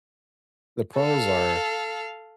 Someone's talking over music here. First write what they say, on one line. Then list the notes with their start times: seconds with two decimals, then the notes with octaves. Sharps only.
the pros are
0.96 A4 F5